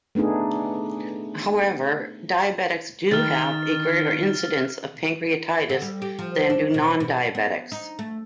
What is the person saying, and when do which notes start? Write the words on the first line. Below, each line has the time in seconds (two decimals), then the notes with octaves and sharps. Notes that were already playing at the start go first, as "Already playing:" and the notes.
However, diabetics do have a greater incidence of pancreatitis than do non-diabetics.
0.15 A3 B3 D4 D#4 G#4
3.11 D#3 F6 A6
5.70 D3
5.82 G3
6.02 G4
6.19 F3
6.50 D4
6.74 B2
7.00 B2
7.35 B3
7.72 D#4
7.99 A3